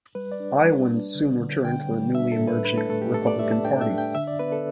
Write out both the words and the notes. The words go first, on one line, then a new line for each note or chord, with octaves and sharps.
Iowans soon turned to the newly emerging Republican Party.
G3 B4
D5
D4
G3
D4
D3
D3
D3 G5
G3
D4 E5
A4
A2
B4
D4 B4
A4
A3 A4
G4
A3 A4
D5
A3 E5
A5
D4 G5
E5
D4
G5
D3 E5
D5
B3 B4
A4